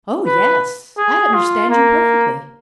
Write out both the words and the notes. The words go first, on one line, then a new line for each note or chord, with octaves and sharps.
"Oh! yes--I understand you perfectly."
B4
G#4
F4
A#3